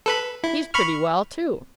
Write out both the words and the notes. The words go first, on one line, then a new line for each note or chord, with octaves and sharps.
He's pretty well, too.'
A4 B4 B5
E4
B5 C#6 F6